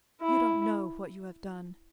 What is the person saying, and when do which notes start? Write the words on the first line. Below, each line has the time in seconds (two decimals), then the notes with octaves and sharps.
You don't know what you have done.
0.21 E4